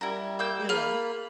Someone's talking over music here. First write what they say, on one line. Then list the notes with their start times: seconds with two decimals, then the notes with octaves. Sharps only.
You know.
0.01 G3 E4 A#4
0.39 A#3 E6 G6
0.69 A#3 F4 G#4 B5 F6